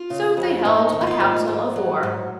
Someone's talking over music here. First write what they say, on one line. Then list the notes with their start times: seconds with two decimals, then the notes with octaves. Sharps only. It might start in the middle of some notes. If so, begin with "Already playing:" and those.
So they held a council of war.
Already playing: F4
0.10 C#3
0.37 F2
0.65 G#2 D#4
0.92 D#3
1.01 F#4
1.07 F4
1.20 G#2
1.48 G#2
1.76 F#3
2.03 G#2